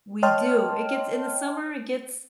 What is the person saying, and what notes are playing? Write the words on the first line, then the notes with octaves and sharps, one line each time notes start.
We do. It gets in the summer, it gets,
C#5 D#5 G5 A5 C6 F6